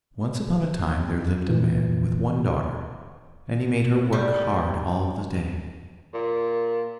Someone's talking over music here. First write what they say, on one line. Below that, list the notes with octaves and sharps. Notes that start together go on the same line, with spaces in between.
Once upon a time there lived a man with one daughter and he made her work hard all the day.
A#2 E3
G3
A#2